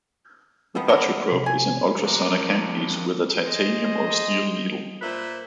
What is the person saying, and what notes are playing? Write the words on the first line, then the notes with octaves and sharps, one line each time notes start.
The phaco probe is an ultrasonic handpiece with a titanium or steel needle.
D#3 F3 B3
B3 D4 A#4
C3
G#5
F2 D4 A#4
G#4 C5 D#5
A#2 B4 C5 E5